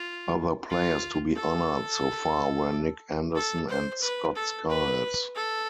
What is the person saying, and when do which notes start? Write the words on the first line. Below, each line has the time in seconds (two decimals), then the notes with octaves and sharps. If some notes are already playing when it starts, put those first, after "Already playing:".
Other players to be honored so far were Nick Anderson and Scott Skiles.
Already playing: F4
0.69 F4
1.35 A4
3.35 A4
3.69 C5
4.01 B4
4.35 A4
4.69 B4
5.35 A4